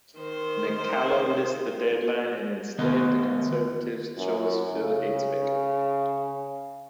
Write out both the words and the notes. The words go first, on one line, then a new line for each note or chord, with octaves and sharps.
McCallum missed the deadline and instead the Conservatives chose Phil Eidsvik.
D#3 C5
D#3 B3 D#5
F#2
C#3